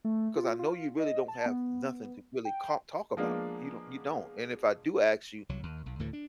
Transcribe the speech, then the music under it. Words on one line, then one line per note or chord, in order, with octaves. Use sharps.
'cause I know you really don't have nothing to really ca talk about, you don you don't, and if I do ask you
A3
F4
F4
D#5
A5
B3
G5
F3 G#3 A#3 B3 D4
C2 F#3
D#2
B1
D2 A2 D3 E3
D4